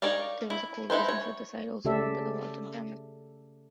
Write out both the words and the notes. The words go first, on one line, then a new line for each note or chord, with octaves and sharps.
There was a coal business at the side, also run by the Walton family.
D#4 A#4 C#5 D5 F5
E4
D#4 E4 B4 C5
C#5
C#3 A3 G4 A4 D5 E5